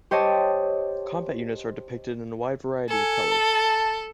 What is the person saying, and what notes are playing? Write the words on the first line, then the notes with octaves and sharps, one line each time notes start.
Combat units are depicted in a wide variety of colours.
G4 C5 C#5 D#5 A5
A4 G#5
A5